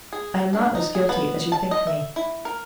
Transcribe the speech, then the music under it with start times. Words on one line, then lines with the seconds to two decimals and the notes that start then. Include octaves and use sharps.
I am not as guilty as you think me.
0.12 G#4
0.53 D4
0.75 D#4
0.95 G#4
1.09 B3
1.52 A5
1.71 D#5
1.87 E5
2.16 E4
2.45 A#4